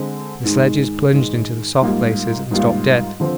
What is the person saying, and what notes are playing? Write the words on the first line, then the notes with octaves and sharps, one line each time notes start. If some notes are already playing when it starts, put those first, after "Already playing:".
The sledges plunged into the soft places and stopped dead.
Already playing: D3 G#3 C4
G#2 D#3 G#3
G#2 D#3 G#3
G#2 G3 A#3 F4
G#2 G3 A#3 F4
D3 F3 C4